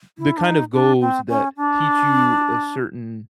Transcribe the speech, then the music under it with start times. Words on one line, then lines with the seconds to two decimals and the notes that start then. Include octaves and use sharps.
the kind of goals that teach you a certain
0.18 E4
0.38 D4
0.45 D#4
0.73 D4
1.01 C4
1.29 C#4
1.57 D4